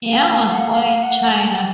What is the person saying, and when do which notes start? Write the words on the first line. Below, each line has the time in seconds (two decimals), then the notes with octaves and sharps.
Yang was born in China.
0.07 F5
0.30 F5
0.45 F5
0.51 F#5
0.71 F5
1.03 F#5